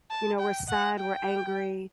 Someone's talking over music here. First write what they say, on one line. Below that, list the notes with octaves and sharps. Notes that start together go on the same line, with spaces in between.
you know, we're sad, we're angry.
A5
G5
F#5
G5